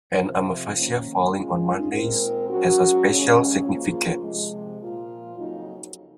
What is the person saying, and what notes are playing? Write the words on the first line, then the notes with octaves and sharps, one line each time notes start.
An Amavasya falling on Mondays has a special significance.
F2 C3 F3
D#3 A#3 C#4
G#3 C#4 F4
A#2 G#3 C4 D#4 A#4
G#2 F#3 C#4 F#4
D#2 C#3 G#3 C#4
C#3 F3 A#3 F4
C3 F3 G#3
A#2 F3 A#3 F4
F2 C#3 F#3 A#3 D#4